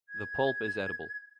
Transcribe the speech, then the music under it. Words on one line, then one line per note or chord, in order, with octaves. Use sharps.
The pulp is edible.
G#6